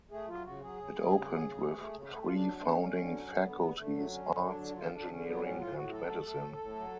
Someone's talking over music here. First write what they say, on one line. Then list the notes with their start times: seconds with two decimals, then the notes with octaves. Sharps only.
It opened with three founding faculties, Arts, Engineering and Medicine.
0.11 A3 G#4
0.28 F#3 F4
0.44 C#3 F#4
0.61 F#3 G#4
0.78 C#3
0.94 C#3
1.11 C#3
1.28 F#3
1.44 C#3
1.61 A3
1.78 A3
1.94 C#3
2.10 A3
2.24 C#3 F4
2.33 D4
2.43 F#3
2.55 A3 D4
2.77 D3 C#4
2.94 D3
3.10 F#3
3.27 D3
3.44 D3 B3
3.60 D3
3.77 D3 A3
3.93 F#3
4.09 D3 C#4
4.26 D3
4.43 F#3 D4
4.60 D3
4.76 D3 F4
4.93 D3 D4
5.09 D3 C#4
5.25 F#3 B3
5.43 A2 C#4
5.59 A2 F4
5.75 A2 F#4
5.92 F#3 A4
6.09 A3
6.25 A3
6.42 A2
6.59 A2
6.75 F#3